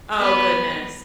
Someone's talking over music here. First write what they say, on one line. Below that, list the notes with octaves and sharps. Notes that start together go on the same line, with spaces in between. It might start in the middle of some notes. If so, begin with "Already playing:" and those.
Oh, goodness.
B3